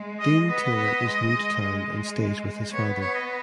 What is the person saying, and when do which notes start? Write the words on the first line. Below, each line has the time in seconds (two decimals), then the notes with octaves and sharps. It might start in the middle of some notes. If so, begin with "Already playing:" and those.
Dean Taylor is new to town and stays with his father.
Already playing: G#3
0.20 D#5
0.48 B3 D#5
0.76 B3
1.04 G#3
1.32 G#3
1.61 G#3
2.73 B3 C#5
3.01 C#5
3.15 D#5